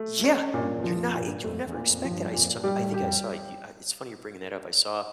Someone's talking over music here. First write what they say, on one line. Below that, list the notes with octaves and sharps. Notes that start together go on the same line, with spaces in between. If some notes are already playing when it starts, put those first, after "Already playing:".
yeah, you're not eg you'd never expect that, I saw I think I saw a You Uh, it's funny you're bringing that up, I saw
Already playing: A3
C#4
G2 A#2
E2
F3
E2
F2
A#2
G2
F2 A3
E2
A#2
F2
F3
G2
F2 A#2
G2
G3
A2
G4
F2